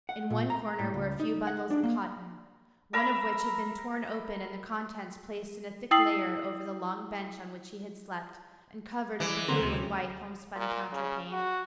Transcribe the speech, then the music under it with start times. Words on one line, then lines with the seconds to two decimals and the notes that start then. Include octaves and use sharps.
In one corner were a few bundles of cotton, one of which had been torn open and the contents placed in a thick layer over the long bench on which he had slept, and covered with a blue and white homespun counterpane.
0.09 F#5
0.30 A#2
0.50 A#5
0.79 A2
0.94 C#2
1.20 D#4
1.47 F#5
1.70 D4
1.83 A#3
2.93 A#4 E5 A#5 B5
5.91 E4 G5 D#6 E6 C7 F#7
9.20 E3 G#3 D5
9.48 D3 F#3 A#3 C4 D4 A#4 C5
9.62 D2 C3 C#4
10.56 A#2
10.93 C#3
11.32 F#4